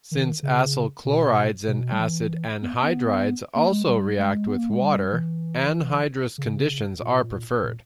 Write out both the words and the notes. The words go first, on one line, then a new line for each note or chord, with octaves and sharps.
Since acyl chlorides and acid anhydrides also react with water, anhydrous conditions are preferred.
D#3
C#3
B2
B2
G3
E3
B3
B3
A#3
G#3
G3
G#3
B3
A#3
G#3
G3
E3
C#3
A#2
A#2